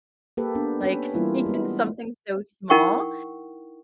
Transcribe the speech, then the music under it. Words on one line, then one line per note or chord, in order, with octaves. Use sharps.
Like, even something so small.
A#3 G4 A4 B4
B3 D4
C#4 B4
E3 G3 A#3 B3 E4 F4
G#3 B3
D#4 E4 A#4 F#5 G5 C#6